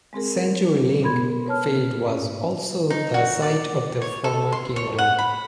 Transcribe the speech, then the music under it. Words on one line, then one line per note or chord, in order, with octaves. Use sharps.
CenturyLink Field was also the site of the former Kingdome.
G#3 C4 G#4 A#4
B2 B3 A#4 B5 C6 G#6
B4 C#5 A5 F6
G#2 C#4
D#4
F#4
D5
C#5
A4
C6
C#5
F#5
B5